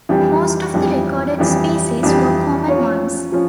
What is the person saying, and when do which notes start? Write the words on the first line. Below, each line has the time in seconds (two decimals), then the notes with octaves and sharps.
Most of the recorded species were common ones.
0.09 F2 E3 G3 D4 G4
0.74 F2 E3 G3 D4 G4
1.38 F2 E3 G3 D4 G4
2.03 F2 E3 G3 D4 G4
2.68 F3 C#4 F4 C#5
3.32 F3 C#4 F4